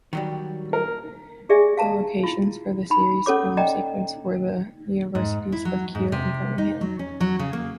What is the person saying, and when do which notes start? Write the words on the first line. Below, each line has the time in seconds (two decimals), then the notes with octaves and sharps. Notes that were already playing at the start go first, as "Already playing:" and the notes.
The locations for the series' filmed sequences were the universities of Keele and Birmingham.
0.13 D#3 F#3 G3
0.73 A#4
1.49 G4 G#4 D5 E5 G#5
1.77 F5 A5 A#5
2.23 E4 F4
2.90 D#4 B5
3.26 C#4 A4 C#5 D6
3.57 D5 D#5 G5 A#5
5.15 G#2
5.52 E4
5.65 F#3
5.95 G#2
6.12 C3
6.58 D#4
6.81 F#3
6.99 C#4
7.20 F#3
7.39 C#3
7.53 A#3